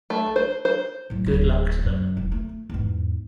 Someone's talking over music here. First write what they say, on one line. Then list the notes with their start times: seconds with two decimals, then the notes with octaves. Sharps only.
Good luck to them.
0.10 A3
0.36 C5
0.65 C5
1.10 A2 F#3
1.26 D1
1.83 F#2
2.17 E1
2.32 A3
2.70 E2 G#2